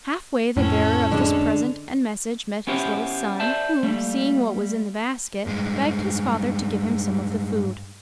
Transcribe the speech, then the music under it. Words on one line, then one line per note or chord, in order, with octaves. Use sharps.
Half-way the bearer of this present and message met his little son, who, seeing what was in the basket, begged his father to give him some of the food.
F2 A2 C#4 A4
D3 G#3
B3 C#4 E4 G4 C5
C5 D5 E5 A5
G3 A3 A#3
G2 G#3